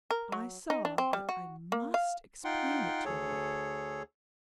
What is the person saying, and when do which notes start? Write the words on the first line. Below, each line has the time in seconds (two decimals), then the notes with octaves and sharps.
I saw that I must explain it to her.
0.11 A#4
0.32 F#3
0.70 D#4
0.85 D4
0.98 C4
1.13 G3
1.29 F#4
1.72 A#3
1.94 F5
2.44 D#4 F4 F#5 G5 C6
3.05 D2 G#4 A4 C#5